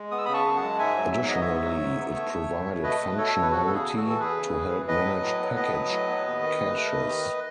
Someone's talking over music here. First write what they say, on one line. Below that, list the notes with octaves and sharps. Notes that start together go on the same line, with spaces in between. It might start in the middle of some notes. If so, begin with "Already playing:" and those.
Additionally, it provided functionality to help manage package caches.
Already playing: G#3
B3 D#6
E6
C#3 B5 D#6
A5 C#6
F#2
F#5 A5
G#3
G#2 E5 G#5
F#3
G#2 E5
B3 D#5
C#5 E5
G#2
F#3
G#2
B3
A3
A3
B2
B2
A3 B4 D#5
A3
B2 A4 C#5
B2
B4
E2 F#4 A4
C#3 A4
G#4
E2
F#4 A4
E3
A4
E2 G#4 B4
C#3
E2
E3
A2 B4 D#5
F#3
A2
B3
A2 B4 D#5
F#3
A2
B3
D#2
D#3
D#2
A3
D#2
D#3